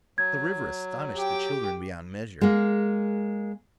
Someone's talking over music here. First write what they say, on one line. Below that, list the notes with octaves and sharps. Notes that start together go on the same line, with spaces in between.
The river astonished the children beyond measure.
F#3 G#6
G4 G5 D6
G#3 A#3